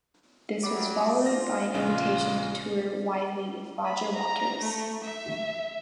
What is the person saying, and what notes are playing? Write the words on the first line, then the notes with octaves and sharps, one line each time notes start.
This was followed by an invitation to tour widely with Roger Waters.
F#3 G3 D6
F4 A#6
A#1 C#3 G#3
B5
A#5
A3
E5